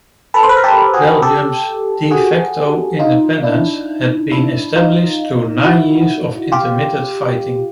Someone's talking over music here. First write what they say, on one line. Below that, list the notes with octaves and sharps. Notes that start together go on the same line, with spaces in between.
Belgium's "de facto" independence had been established through nine years of intermittent fighting.
A4 B4
C5
B4
A#4
G4 A4
F#4 G#4
G4 A4
F#4 G#4
D#4 F4
D4 E4
D4 E4
D#4 F4
E4 F#4
F4 G4